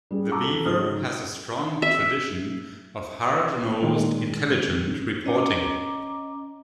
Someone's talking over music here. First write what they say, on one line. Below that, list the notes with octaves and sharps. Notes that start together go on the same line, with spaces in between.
"The Beaver" has a strong tradition of hard-nosed, intelligent reporting.
G3 C#4 G#4
A5 A#5 C#6 D6 E6
A4
G#2 C#3 D#4 D#6 F6
E5
A#2 D#3 G#3
C#4 D#5 A#5 D6